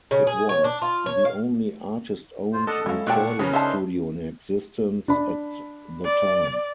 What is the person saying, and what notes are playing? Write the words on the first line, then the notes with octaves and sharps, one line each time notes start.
It was the only artist-owned recording studio in existence at the time.
C#3
G#4
C#5
D4
F4
C#5
F5
F4 C5
D4 A4 D#5 F#5 A5
F#3 G#3 E4 F#4 F5
A#2 D3 F#3 F#5 G5 A5 C#6 F#6
C#3 C#4 G#4 A#4 B4 C#5 A5
D4 D#4 A4 E5 F5 A5 C6
D4 B5
D5